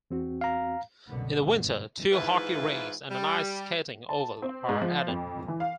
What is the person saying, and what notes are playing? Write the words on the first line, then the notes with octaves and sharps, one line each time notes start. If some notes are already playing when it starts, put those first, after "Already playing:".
In the winter two hockey rinks and an ice skating oval are added.
E2 C4 F#4
F5 A#5
C2 F#2 B2 D3 B3
D2 G2 B2
G#2 E3 E4 F4 B4
G3
A5
C4
G#2
F3
F2
E3
F5